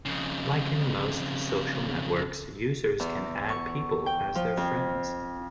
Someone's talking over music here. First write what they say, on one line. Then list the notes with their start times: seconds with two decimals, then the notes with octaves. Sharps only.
Like in most social networks, users can add people as their friends.
0.05 F2 C#3
3.00 E2
3.49 C#6
4.06 G5
4.35 F3
4.57 F2